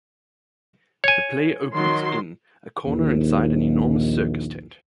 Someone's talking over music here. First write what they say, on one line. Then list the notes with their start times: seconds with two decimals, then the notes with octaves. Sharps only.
The play opens in "a corner inside an enormous circus tent".
1.04 C#5 G#5
1.74 D#3 F#3 C6
2.85 A#1 D#2